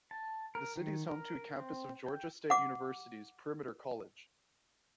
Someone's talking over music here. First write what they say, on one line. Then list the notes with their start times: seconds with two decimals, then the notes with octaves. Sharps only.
The city is home to a campus of Georgia State Universities Perimeter College.
0.11 A5
0.55 A#4
0.76 D#3
1.07 A#4
1.57 C4
2.06 G5
2.50 F#5 D6